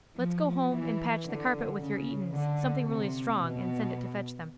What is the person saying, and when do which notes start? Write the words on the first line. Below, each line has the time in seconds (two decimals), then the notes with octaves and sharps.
Let's go home and patch the carpet with your Etons--something really strong--and send it to fetch them.'
0.18 F3
0.71 E3
1.25 D3
1.78 C#3
2.31 D3
2.84 C3
3.37 B2